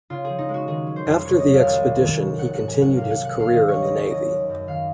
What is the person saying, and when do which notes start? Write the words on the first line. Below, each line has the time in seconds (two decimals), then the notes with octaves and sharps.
After the expedition he continued his career in the navy.
0.10 C#3 F4
0.25 F3 G#4
0.39 D#4
0.49 G#3
0.54 F#4
0.67 D#3 G#4
0.87 F#3
0.96 C5
1.06 F2
1.25 C3 C#5
1.40 F#3 D#5
1.53 F5
1.63 C2 G#5
1.82 C3
2.01 D#3
2.21 F#3
2.38 F#3 F#5
2.54 G#2 F#5
2.68 G#5
2.78 F#3 F#5
2.96 C3 F5
3.11 D#3 F#5
3.25 F#5
3.35 C#2
3.40 F5
3.53 D#3 D#5
3.68 F#3 C#5
3.83 D#5
3.91 D#2
3.97 C#5
4.10 D#3 D#5
4.30 G#3
4.49 F#2
4.67 D#3 F5